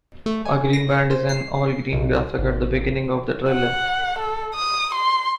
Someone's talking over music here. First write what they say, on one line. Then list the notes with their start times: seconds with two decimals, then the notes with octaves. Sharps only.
A "green band" is an all-green graphic at the beginning of the trailer.
0.26 A3
0.45 G#5
0.73 A#6
1.10 C5
1.29 C7
1.92 B1
2.38 G#1
3.50 F#5
4.18 A4
4.54 D#6
4.94 C6